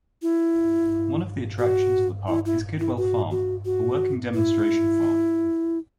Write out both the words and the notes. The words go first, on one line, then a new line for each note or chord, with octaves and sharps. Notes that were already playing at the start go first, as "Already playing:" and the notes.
One of the attractions of the park is Kidwell Farm, a working demonstration farm.
E4
F#4
E4
E4
E4
F#4
F#4
F#4
E4